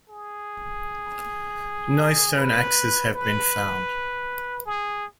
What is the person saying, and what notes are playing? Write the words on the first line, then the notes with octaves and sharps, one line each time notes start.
No stone axes have been found.
G#4
B4
B4
G#4